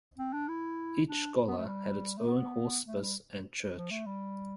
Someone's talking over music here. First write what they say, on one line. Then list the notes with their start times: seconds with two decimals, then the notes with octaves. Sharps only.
Each "Schola" had its own hospice and church.
0.18 C4
0.33 D4
0.48 E4
1.08 D4
1.48 B3
1.58 A3
1.68 G3
2.18 A3
2.27 B3
2.86 A3
3.01 G3
3.76 F3
3.91 A3
4.06 G3